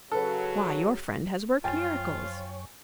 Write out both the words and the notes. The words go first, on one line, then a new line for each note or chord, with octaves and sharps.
"Why, your friend has worked miracles."
C#3 F#3 A4 B4
F#2 F3 F4 C#5 G5 G#5 A6